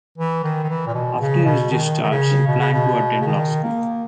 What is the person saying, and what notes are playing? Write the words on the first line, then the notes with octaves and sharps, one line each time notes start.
After his discharge he planned to attend law school.
E3
D#3
D#3
E3
A#2
B2
C#3
B2
D#3
D#3
C#3
B2
C#3
B2
C#3
D#3
A#3